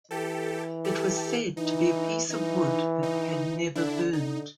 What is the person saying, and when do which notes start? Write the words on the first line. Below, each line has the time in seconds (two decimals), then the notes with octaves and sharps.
It was said to be a piece of wood that had never burnt.
0.11 E3 G4 A4
0.84 G4 A4
1.57 E3 D#4
2.30 E3 D#4
3.03 D#4
3.75 D3 D4 E4
4.13 D3 D#4